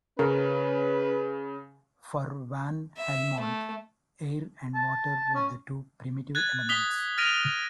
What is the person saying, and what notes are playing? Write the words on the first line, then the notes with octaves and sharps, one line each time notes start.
For Van Helmont, air and water were the two primitive elements.
C#3 C#4 A#4 B4
E5
A3
A5
C#4
F#6 G#6 A6
D#6 B6 G7
F6 A6 A#6 D7 D#7 F7